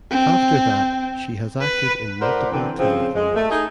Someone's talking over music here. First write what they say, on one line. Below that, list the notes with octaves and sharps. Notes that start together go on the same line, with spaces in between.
After that she has acted in multiple telefilms.
C4
B4
A2 A#4 C5 D5 F#5
D3 E3 C4
C#3 F3 C4
G#3
A3
D#4 G#4